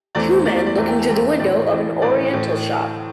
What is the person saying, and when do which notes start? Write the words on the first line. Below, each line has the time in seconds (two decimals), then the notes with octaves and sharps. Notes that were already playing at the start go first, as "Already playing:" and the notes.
Two men looking through the window of an Oriental shop.
0.15 E2 E3 A3 C4 D5
0.30 C5
0.46 E2 E3 A3 C4 D5
0.56 D5
0.66 D5
0.77 E2 E3 A3 C4 E5
0.88 G5
0.98 A5
1.09 E2 E3 A3 C4 G5
1.24 E5
1.39 A2 E3 C4 D5
1.71 A2 E3 C4 C5
2.02 A2 E3 C4 D5
2.33 A2 E3 C4